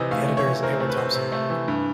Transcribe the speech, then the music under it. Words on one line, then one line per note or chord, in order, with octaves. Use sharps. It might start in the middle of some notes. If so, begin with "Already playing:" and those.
The editor is Ewa Thompson.
Already playing: C3 E3 C4 D#5
A3 F5
A3
C#5
E3
C4 A#4
A3
B4
C4
C3
A3
E3
G2